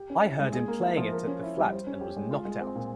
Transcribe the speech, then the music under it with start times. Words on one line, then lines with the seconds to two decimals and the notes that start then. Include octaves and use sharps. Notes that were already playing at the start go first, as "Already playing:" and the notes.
I heard him playing it at the flat and was knocked out.
Already playing: G4
0.10 C#4
0.24 E4
0.39 G#3
0.53 G#4
0.68 A#3
0.84 E4
0.97 F3
1.12 A#4
1.27 C#4
1.43 E4
1.57 G3
1.72 C5
1.87 C#4
2.01 G4
2.17 G#3
2.31 F4
2.45 G#3
2.61 C4
2.75 A#2